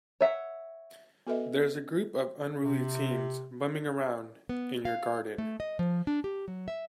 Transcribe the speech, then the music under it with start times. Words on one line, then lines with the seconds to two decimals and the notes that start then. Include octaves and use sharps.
There's a group of unruly teens bumming around in your garden.
0.21 C#5 E5 F#5
1.27 B3 F#4 A4 B4 D#5 E5
2.64 C3
4.49 B3
4.85 F5
5.38 A3
5.60 D#5
5.79 F3
6.07 D4
6.24 G4
6.48 F#3
6.68 E5